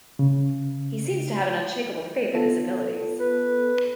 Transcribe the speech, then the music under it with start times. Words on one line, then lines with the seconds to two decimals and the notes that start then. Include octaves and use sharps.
He seems to have an unshakeable faith in his abilities.
0.19 C#3
2.33 B3 F4 A4
3.19 B4